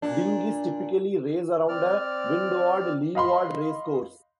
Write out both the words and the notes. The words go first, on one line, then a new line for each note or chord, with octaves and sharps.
Dinghys typically race around a windward-leeward race course.
A#2 D4
C4 D5 F6
D#5 F5 B5 C6